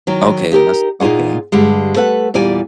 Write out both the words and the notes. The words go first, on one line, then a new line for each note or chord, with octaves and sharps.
Okay, then that's okay.
D#3 F#3
D#4 G4 G#4 A#4
A#2 D#4 F4 G#4 F#5
G2 D3 G3 G#3
A3 A4 B4 F#5
E2 A#2 G3 D5 G#5